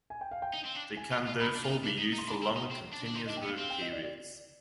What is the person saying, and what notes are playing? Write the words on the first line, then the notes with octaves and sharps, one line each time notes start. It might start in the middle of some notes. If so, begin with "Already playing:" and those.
They can therefore be used for longer continuous work periods.
G#5
G5
F5
G5
D#4
C4
D4
G#5
F4
F4
D#4 B5
D4
F4
D#4
D4
D#4
D#4
C6
D4 B5
C4
D#4
C4
D4
D4
D#4 C6
D#5
D4
G5
B3
F5
C4 F5
G5
D#5
D5
D5